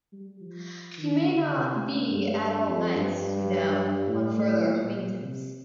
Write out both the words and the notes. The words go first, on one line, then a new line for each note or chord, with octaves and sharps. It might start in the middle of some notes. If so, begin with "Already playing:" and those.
He may not be at all nice, you know, on further acquaintance.
G3
F3
D#3
D3
C3
G2
F2
G2
A2
A#2
C3